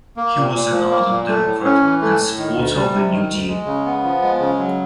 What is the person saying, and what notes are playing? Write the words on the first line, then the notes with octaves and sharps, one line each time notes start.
He was an ardent Democrat and supporter of the New Deal.
A#3
A#2
A#2
F3
A#3
A#2
A3
A2
C#4
E3
A3
A2
D#3
D2
G3
C3
D#3
D2
G#3
C#3
B3
F3
G#3
C#3
F#3